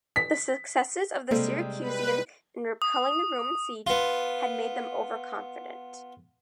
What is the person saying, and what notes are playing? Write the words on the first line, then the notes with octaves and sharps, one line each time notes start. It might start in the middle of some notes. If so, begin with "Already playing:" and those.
The successes of the Syracusians in repelling the Roman siege had made them overconfident.
B6
C3 G3 G#3 A#3 A4 C5
B4
D#6
B3 F4